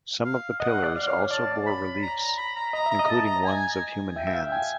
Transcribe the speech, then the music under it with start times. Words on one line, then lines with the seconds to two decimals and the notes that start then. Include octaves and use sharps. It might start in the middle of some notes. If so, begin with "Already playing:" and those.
Some of the pillars also bore reliefs, including ones of human hands.
0.24 F5
0.60 D#5 F#5
0.84 D5
0.95 F5
1.08 C#5
1.31 D5 A5
1.66 B5
2.02 A#5
2.20 A#5
2.38 B5
2.56 A#5
2.73 D#5 A#5
2.86 E5 A#5
2.99 D#5
3.09 A5
3.26 A#5
3.45 G#5
4.16 E5 G5
4.27 E5
4.34 F5
4.51 G5 G#5